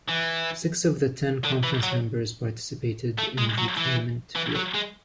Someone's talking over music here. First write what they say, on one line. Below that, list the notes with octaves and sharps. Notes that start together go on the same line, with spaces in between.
Six of the ten conference members participated in the tournament field.
E3
D3
E3
F#3
A3
G#3
F#3
E3
E3
F#3
G#3